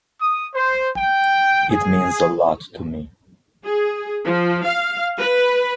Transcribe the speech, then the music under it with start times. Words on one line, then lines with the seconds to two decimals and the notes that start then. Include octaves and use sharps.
It means a lot to me.
0.20 D#6
0.53 C5
0.97 G5
1.70 G#4
3.64 G#4
4.25 F3
4.66 F5
5.18 B4